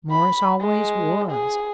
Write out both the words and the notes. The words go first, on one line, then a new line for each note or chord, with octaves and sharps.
Morris always was.
B5
G#3
G#4